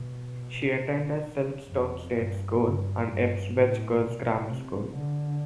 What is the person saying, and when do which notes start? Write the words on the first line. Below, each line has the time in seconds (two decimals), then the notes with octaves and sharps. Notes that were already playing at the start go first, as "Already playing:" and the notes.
She attended Silkstone State School and Ipswich Girls Grammar School.
Already playing: B2
1.67 F2
2.14 G2
2.61 G2
3.08 G2
3.55 A2
4.02 B2
4.49 C3
4.96 D3